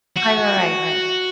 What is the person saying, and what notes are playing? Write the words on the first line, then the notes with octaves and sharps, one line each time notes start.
I know, right, right.
F#4